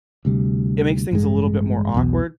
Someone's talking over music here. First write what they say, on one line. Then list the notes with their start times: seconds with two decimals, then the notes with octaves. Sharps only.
it makes things a little bit more awkward,
0.25 D2 C3 G3
1.11 A1 G2 G#3
1.94 B1 E2 B2